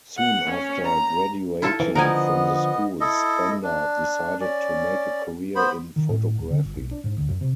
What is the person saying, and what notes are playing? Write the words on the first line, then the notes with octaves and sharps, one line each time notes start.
Soon after graduating from the school Spender decided to make a career in photography.
F#5
C#4
A#5
E4 F4 A4
E3
D3 F3 B3 A#4 D#5 G5 G#5
E4 A4 D#5
D4
C#4 D5
B3 C5 B5
D#3
A2
D#1
D3
G1
B1
D4
G#2
D2
F#2
C3